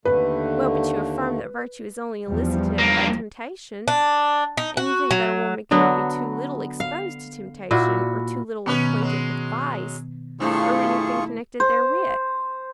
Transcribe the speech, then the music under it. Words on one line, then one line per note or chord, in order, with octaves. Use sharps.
'Well, but you affirm that virtue is only elicited by temptation;--and you think that a woman cannot be too little exposed to temptation, or too little acquainted with vice, or anything connected therewith.
D#2 D3 A3 B4
E2 F3 G3
G2 A#3
D4
D#4
F#4
F#3
D3 F#3 B3 F#4
F5
A#2 E4 F#4
B2 D#3 F#3 B3 C#4 B4
F#3 G#3
G2 A3 C4 E4 F4 G#4 C#6
C5